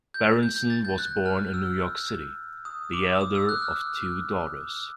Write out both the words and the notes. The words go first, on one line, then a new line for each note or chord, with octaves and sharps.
Berenson was born in New York City, the elder of two daughters.
G6
G6
G6
A6
G6
F#6
F6
E6
D#6
D6
D#6
E6
F#6
F6